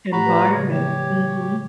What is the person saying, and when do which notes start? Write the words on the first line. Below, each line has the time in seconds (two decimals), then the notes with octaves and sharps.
Environment, mhm.
0.12 A2 A3 F#4 G4 A#5 B5
0.26 B4 D5
0.53 C#3 F3 C#5
0.72 G4 C#5